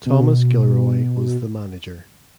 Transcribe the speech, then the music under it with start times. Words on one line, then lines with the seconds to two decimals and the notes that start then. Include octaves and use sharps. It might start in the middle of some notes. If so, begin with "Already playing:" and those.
Thomas Gilroy was the manager.
0.06 B2
0.12 C3
0.20 B2